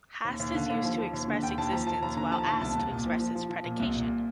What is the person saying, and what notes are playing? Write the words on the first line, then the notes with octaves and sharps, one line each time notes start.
"Hast" is used to express existence while "ast" expresses predication.
D#2
D#2
D3 F5
D#2
F3
F3
D#2
D3
D#2 G5
D#2 A5
F3 A#5
F3 A5
D#2 A#5
D3 A#5
F3 A5
D#2 A5
C2 A5
C2
A#2
F3
F3
F3
F3
A#2
C2
A#2